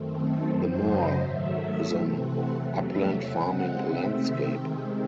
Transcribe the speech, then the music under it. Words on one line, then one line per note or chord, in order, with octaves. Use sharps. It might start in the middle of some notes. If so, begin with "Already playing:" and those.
The moor is an upland farming landscape.
Already playing: F#2 D#3 A3 C4
A4
F#2 C#3 F#3 C5
D#5
G#2 D#3 F#3 A3 E5
C3 E3 A3 C4 E5
F#5
E2 C3 F#3 A3 E5
E5
C#3 G#3 C4 F#5
C3 D#3 A3 C4 E5
C3 D#3 G#3 C4